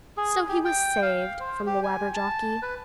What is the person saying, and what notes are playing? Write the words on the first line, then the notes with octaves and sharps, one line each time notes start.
So he was saved from the Wabberjocky.
G#4
G4
G5
F5
C5
G4
G#5
A5
B4